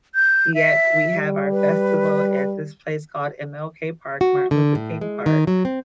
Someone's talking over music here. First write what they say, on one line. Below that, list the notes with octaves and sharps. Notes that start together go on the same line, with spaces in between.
yet we have our festival at this place called MLK Park Martin Luther King Park,
G6
E5
G3
B4
F#4
D3
A2
G#3
D#3
F#3
C4